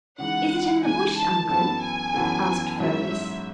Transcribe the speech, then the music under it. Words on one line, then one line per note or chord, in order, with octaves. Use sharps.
"Is it in the Bush, Uncle?" asked Fergus.
C#3 E3 G#3 D#4 F#5
C#3 E3 G#3 D#4 G#5
A5
F#2 E3 B3 F#4 A4 A5
G#5
F#2 E3 B3 F#4 A4
G#2 F#3 C#4 E4 E5